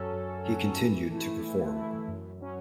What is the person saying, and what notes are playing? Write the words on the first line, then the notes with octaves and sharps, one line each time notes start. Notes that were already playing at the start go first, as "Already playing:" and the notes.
He continued to perform.
Already playing: F#2 F#3 C#4 A4
F#2
F#3 C#4 A4
E3
A3 E4
E3
A3 E4
F#2
F#3 C#4